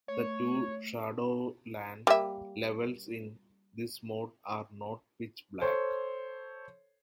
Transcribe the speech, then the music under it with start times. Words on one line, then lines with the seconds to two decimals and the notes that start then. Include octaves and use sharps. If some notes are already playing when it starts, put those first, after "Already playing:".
The two Shadowlands levels in this mode are not pitch black.
0.08 A3 C#5
2.07 G3 A#3 E5
5.61 A4 C5 C#5